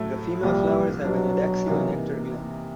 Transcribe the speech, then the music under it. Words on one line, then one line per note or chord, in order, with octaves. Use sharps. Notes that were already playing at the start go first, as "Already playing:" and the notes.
The female flowers have an adaxial nectar gland.
Already playing: A2 F#3 A3
C2 A#2 F3 G3
B2 F#3 G3 B3 D4
C3 E3 G3 A#3 D#4